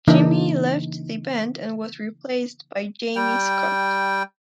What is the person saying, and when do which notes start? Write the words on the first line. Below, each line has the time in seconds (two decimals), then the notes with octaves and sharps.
Jimi left the band and was replaced by Jamie Scott.
0.08 C#3 E3 A#3 D4 D#4
3.16 G3 G5